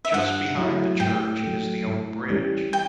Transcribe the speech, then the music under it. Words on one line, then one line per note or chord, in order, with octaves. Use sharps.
Just behind the church is the old bridge.
E5
G2 F#5
F#3 A3 E4
A2 G5
F#3 A3
A2
E3 G3 C#4 G4
G5